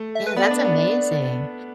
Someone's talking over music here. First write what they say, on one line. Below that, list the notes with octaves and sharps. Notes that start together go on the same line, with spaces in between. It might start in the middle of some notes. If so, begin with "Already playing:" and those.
Yeah, that's amazing.
Already playing: A3
E5
B4
B3 D5
D4
B3